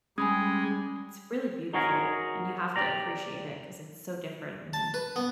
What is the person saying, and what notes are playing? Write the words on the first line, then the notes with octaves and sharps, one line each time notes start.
it's really beautiful, and you have to appreciate it 'cause it's so different and
G3 G#3 C#4 G#5 B5 D#6
D#4 F#4 G#4 A#4 C#5
G4 D5 A#5
A5
B4
B3